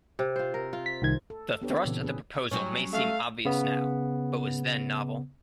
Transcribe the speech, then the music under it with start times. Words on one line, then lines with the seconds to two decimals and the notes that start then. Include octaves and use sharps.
The thrust of the proposal may seem obvious now, but was then novel.
0.19 C3
0.36 F4 C5
0.54 A#4
0.73 F4
0.86 B6
1.02 C2 D#3 G#6
1.30 A4
1.62 B3 D4 G4 A4 B4 C#5
1.85 A#2 C#3 E3 C4
2.02 C#4 G#4 B4
2.51 F#3 G3 C#4
2.93 A3 F5
3.45 C#3 B3